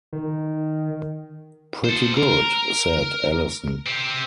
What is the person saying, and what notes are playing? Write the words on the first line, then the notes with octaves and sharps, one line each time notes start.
"Pretty good," said Allison.
D#3
A4 C5
A#4
C4 G4